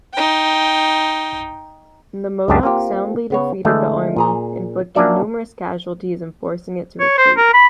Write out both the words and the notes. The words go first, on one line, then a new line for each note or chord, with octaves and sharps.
The Modoc soundly defeated the Army, inflicting numerous casualties and forcing it to retreat.
D#4 G5
C#2 F#2 D4 G4 G#4 A5
A#3 C4 F4 G4
C#3 B3 C#5
D3 E3 G#3 A3
A#2 G#4 A#5
F#3 A#3 C#4 D4 D5 E5
C#5
C5
A#4
B5